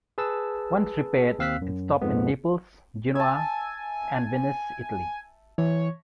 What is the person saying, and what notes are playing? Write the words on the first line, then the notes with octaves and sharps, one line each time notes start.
Once repaired, it stopped in Naples, Genoa, and Venice, Italy.
G#4 B4 A5 E6
D#2 C4 F5 E6 F#6 B6
F#2
F2 G#2 F3 G#3 B3
E5 G#5 A5
E3 C#5